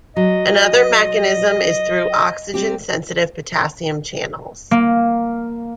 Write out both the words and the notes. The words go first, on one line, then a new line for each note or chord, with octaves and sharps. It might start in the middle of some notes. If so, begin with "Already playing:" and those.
Another mechanism is through oxygen sensitive potassium channels.
F#3 D#5
G3 C4 G4
A#3